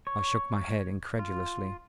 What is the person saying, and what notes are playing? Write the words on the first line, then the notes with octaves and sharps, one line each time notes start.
I shook my head incredulously.
C#5
F4